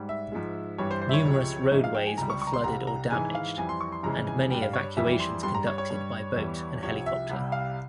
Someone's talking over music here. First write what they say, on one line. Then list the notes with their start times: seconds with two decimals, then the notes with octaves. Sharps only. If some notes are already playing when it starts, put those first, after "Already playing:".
Numerous roadways were flooded or damaged and many evacuations conducted by boat and helicopter.
Already playing: G#2 G3
0.09 E5
0.32 G#2 F3 G#3
0.78 G2 E3 G3 C#5
0.91 C5
1.01 C5
1.09 E5
1.13 C#5
1.25 C#2 C3 F3 G#3
1.72 G#2 F3 G#3 E5
1.84 F5
1.95 G5
2.06 G#5
2.18 C#2 C3 G3 A#5
2.30 C#6
2.42 C#6
2.47 A#5
2.53 C6
2.64 C2 C3 G3 A#5
2.87 A#5
3.10 G#2 E3 G#3 G#5
3.35 F5
3.58 F2 E3 G3 G#5
3.69 C6
3.81 C#6
3.92 C6
4.03 F2 C#3 E3 G#3 A#5
4.27 G#5
4.50 G2 G3 G5
4.62 F5
4.73 C#5
4.97 F2 E3 G3 E5
5.20 C6
5.43 G2 G3 C6
5.55 A#5
5.67 C#5
5.78 C#5
5.90 G2 G3
6.36 E2 E3 G3
6.83 C2 C3 F3 C#5
7.06 E5
7.30 C2 C3 G3
7.52 F5